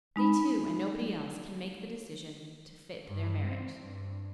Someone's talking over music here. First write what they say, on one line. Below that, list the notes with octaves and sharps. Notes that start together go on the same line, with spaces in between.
They two, and nobody else, can make the decision to fit their marriage.
G#3 D#4 B5
G2
C4
G2